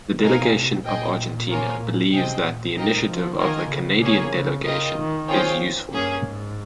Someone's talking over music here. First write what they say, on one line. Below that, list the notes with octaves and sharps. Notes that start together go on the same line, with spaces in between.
The delegation of Argentina believes that the initiative of the Canadian delegation is useful.
C3 D#4 A#4 F5 G#5
C3
A#2 G#4 D#5 G5
A#3 F4 A#4 C#5 G#5
A#2
C3 G#4 C5 D#5 G5
A#2
A#3 D#4 A#4 D#5 G5
F3
D#3 A#3 F4 A#4 D#5 G#5
C#3
A#3 C#4 G#4 C#5
C#3
C#3 F4 A#4 D#5 G5
D#3
C4 F4 G#4 C#5 G5
G2 A#3 C#4 G#4
G#2